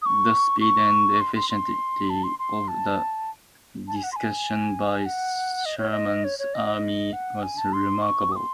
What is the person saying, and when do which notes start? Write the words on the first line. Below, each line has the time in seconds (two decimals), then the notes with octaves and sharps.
The speed and efficiency of the destruction by Sherman's army was remarkable.
0.02 D#6
0.06 C#6
0.61 C#6
1.20 C6
1.36 C6
1.50 C6
2.10 A5
2.23 C6
2.39 C6
2.68 A5
3.88 A5
3.96 G#5
4.03 F#5
4.12 C6
4.16 G#5
5.06 F#5
5.65 D#5
5.78 C#5
5.91 D#5
6.24 C#5
6.39 C#5
6.54 D#5
7.13 F#5
7.43 G#5
7.58 A5
7.73 C6
8.02 C#6
8.32 D#6
8.36 C6